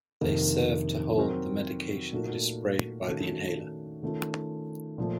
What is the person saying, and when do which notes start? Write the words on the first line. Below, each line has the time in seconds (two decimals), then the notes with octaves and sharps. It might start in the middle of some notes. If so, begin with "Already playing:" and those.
They serve to hold the medication that is sprayed by the inhaler.
0.21 F2 C3 D#3 A#3
1.17 F#3 C4 F#4 A#4
2.12 A#2 A3 D#4 F#4 A#4
3.08 D#3 A3 C#4 F#4
4.03 D#3 A3 C#4 F4
4.98 A#2 F3 A3